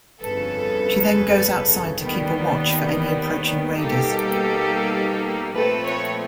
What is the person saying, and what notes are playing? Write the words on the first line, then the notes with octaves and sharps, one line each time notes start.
She then goes outside to keep a watch for any approaching raiders.
G1 F2 C#3 A4 B4
D#2 D#3 G3 B3
B2 G3 A#3 D#4 G4 A4
A#2 F3 A3 C4 A4 B4
B4 C#5